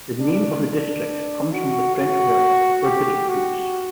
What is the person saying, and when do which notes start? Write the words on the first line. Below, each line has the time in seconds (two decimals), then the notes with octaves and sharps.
The name of the district comes from the French word for grapefruits.
0.19 D4
0.63 D4
1.52 F#4
1.95 F#4
2.84 G4
3.28 F#4